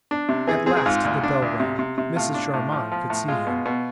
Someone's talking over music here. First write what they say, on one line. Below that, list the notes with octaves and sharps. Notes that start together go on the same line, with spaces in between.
At last the bell rang: Mrs. Charmond could see him.
D4
C3
E3 G#4
C4 G#4
G#4
G#2 F4
D2 F4
D4
D2
C3
C3
C3
A2 F4
D4
A2
F3
F3
A2
G#3 F4
B2
B2